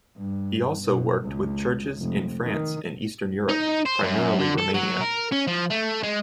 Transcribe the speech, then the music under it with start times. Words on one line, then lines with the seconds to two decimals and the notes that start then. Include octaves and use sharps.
He also worked with churches in France and Eastern Europe, primarily Romania.
0.17 G2
0.82 B2
1.25 C#2
1.99 F1
2.44 D#3
3.49 D#4
3.86 C5
4.02 F#2
4.39 D3
4.58 A4
4.74 F#3
5.00 A#4
5.32 C#4
5.47 F3
5.71 A3
6.03 G#3